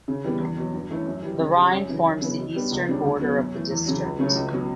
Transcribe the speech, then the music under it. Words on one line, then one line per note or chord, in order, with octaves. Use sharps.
The Rhine forms the eastern border of the district.
C#3
E3 G3 B3
E2
B2 F#3
G2
E3 A3 C#4 E4
F#2
E3 G3
C#3
F#3 C#4 G4
F#2
C#3 E3
F#2
C#3 E3 B3
B2
G3 B3 D4
C#2
C#3 G3 D4
D2
D3 F#3 B3 F#4
F#2
E3 A3
E2
C#3 F#3
C#2
C#3 F#3 A3 C#4
C#2
B2 F#3 C#4